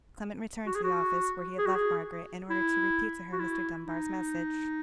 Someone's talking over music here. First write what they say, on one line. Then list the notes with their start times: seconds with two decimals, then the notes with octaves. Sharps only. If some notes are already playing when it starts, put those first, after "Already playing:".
Clement returned to the office, where he had left Margaret, in order to repeat to her Mr. Dunbar's message.
0.66 F#4
0.75 G#4
0.84 F#4
1.58 G#4
1.66 F#4
1.75 G#4
2.50 E4
3.32 F#4
3.40 E4
3.86 D#4